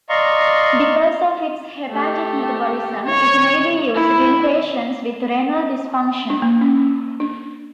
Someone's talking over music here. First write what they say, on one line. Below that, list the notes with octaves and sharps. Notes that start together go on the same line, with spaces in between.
Because of its hepatic metabolism, it may be used in patients with renal dysfunction.
D5 D#5 F5 A#5 C6 C#6
A3 G4
C#5
E4
D4
A#3
C#4
D4